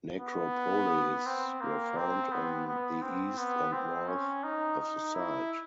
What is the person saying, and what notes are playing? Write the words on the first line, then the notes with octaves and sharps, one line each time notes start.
Necropoleis were found on the east and north of the site.
B3
C4
A#3
C4
B3
B3
C4
B3
C4
C#4
D#4
D#4
E4